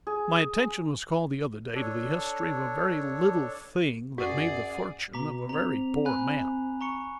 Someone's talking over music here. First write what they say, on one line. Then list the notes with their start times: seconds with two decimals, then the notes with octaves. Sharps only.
My attention was called the other day to the history of a very little thing that made the fortune of a very poor man.
0.07 G#4
1.75 D4 A4 C#5
4.18 F#2 F#4 G#4 D5 F#5
5.14 B2 A#5 D6 B6
5.49 C4 A#5 F7
6.05 G#5 B5 F#6
6.81 A#5 C#6 C#7